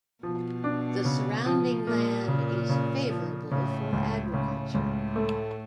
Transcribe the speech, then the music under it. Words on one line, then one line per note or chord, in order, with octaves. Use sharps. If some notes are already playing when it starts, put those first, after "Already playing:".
The surrounding land is favorable for agriculture.
B2 F3
D4
C#3
F3
A#2 A#3
C#3
C#3
F3
A2 C#3
C#2
A2 C#3
C#2
A3